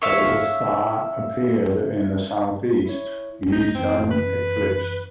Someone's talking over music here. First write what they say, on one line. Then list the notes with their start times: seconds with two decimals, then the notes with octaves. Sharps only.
There was a star appeared in the South-east, ye sun eclipsed.
0.02 C#5 E5 F5
2.86 E4 C#5
3.52 C#2 D#4 G6
3.75 F#2 E3 C4
4.11 B4